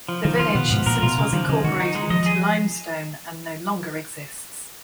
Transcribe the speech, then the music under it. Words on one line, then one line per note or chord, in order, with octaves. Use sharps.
The village since was incorporated into Limestone, and no longer exists.
F3
D#3 F3
D#3 F4
B2 B3
G#2 F3
A#2 A#4
B2 F4
C#3 A#3
D#3 F3
C#3 G#3
D#3 F#4
D#4
G#3
F3 D#5
G#4